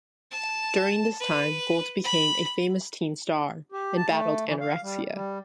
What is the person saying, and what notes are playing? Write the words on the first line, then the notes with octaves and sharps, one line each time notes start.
During this time, Gold became a famous teen star and battled anorexia.
A5
B4
B5
G4
A5
A3
E3
F5
G3
G3